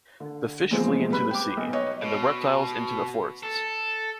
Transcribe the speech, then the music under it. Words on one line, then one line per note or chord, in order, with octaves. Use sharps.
The fish flee into the sea, and the reptiles into the forests.
D3
E2 A#2 F3 G#3 C4
G3 B4 B5 F#6
G5 D6
B1
B4 C#5 D#5
B2
A4